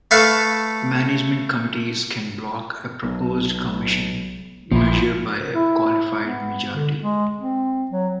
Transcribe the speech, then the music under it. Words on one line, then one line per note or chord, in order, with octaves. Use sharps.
Management committees can block a proposed Commission measure by a qualified majority.
A3 A4 B4 F5 C#6
B1
A#1 F3 A#3 E4
E4
B3
D3
G#3
C4
F#3